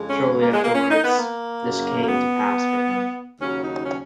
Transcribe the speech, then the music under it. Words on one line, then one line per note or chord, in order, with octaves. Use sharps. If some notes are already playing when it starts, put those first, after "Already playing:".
Shortly afterwards this came to pass for him.
Already playing: F2 C#3 G#3
C#4
A#3
G#3
A#3
C#4
D#4
B3
A#3
F#2 C#3 F#3
A#3
B3
D#2 C#3 F#3 C#4
D#4
C#4